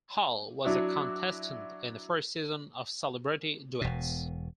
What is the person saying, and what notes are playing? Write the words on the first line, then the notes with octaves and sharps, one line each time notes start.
Hal was a contestant in the first season of "Celebrity Duets".
F#3 D4 E4 F#4
E1 B2